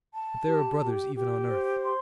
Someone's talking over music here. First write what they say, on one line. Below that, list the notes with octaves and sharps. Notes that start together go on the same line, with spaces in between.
But there are brothers even on earth....
A5
G4
G4
G4
C5
C6